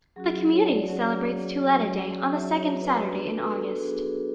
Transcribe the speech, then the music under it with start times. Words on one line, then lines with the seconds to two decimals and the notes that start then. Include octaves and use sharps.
The community celebrates Tuleta Day on the second Saturday in August.
0.16 F#3 C#4 F#4 G#4
0.33 F#4
0.52 C#5
0.69 D5
0.88 F#3 C#4 F#4
1.61 F#3 C#4 F#4
2.33 F#3 C#4 F#4 E5
2.57 C#5
2.81 B4
3.06 B3 D4 F#4 B4
3.24 A4
3.42 B4
3.60 A4
3.78 B3 D4 F#4 G#4
4.02 F#4